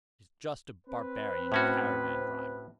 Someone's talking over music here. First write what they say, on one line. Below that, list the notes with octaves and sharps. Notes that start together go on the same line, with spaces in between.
"He's just a barbarian caravan-driver."
C4 B4
A2 C#4 F#4